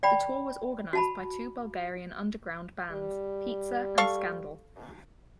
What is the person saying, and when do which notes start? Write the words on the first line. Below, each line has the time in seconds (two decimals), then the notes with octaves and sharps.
The tour was organized by two Bulgarian underground bands - Pizza and Scandal.
0.03 D5 G5 B5
0.93 F#4 A5 B5
2.92 G3
3.98 A4 F5 C#6